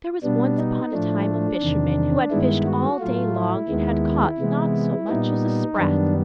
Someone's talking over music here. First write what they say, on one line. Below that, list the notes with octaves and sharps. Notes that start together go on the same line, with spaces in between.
There was once upon a time a fisherman who had fished all day long and had caught not so much as a sprat.
B2 G3 B3 D4
D#4
A2 F3 A3 D4
E2 C3 D#3
G2 D#3 G#3 B3 E4
F#4
A2 F#3 A3 F4
E4
D#2 D#3 G#3 B3
C3 E3 G#3 B3
A#2 G3 B3 D#4
F#2 D#3 G3 B3 D4